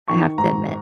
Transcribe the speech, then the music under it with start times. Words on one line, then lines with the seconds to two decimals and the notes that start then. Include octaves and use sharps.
I have to admit.
0.08 D#3 C#6
0.38 G#2 A#5